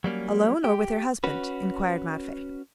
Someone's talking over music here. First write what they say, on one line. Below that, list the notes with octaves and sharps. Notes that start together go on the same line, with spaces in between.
"Alone, or with her husband?" inquired Matvey.
F#3 G3 A#3 C#4
G4
C#4 F#4 B4